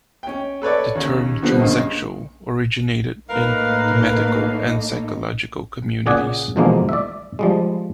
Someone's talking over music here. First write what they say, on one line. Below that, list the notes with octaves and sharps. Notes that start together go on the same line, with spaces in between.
The term "transsexual" originated in the medical and psychological communities.
C#4 G5
A4 B4 C#5 D5
D#2 C#3
D3 F3 G3 B3 C4
G2 C#3 A#3 D#5
A2 A#3 D#4 A#4 B4 F5
A#2 C#3 G#4 D5 F#5
B2 D3 E3 F3 G#3 A#3
D5 E5
F3 G3 G#3